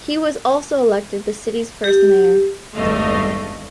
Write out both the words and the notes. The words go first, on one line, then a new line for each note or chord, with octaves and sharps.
He was also elected the city's first mayor.
G4
G#1 E2 G2 A3 D#5 F5